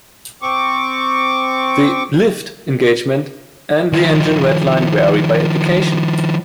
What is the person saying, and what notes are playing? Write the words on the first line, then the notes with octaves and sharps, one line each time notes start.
The "lift" engagement and the engine redline vary by application.
C4 C#6 D6
D#3 F3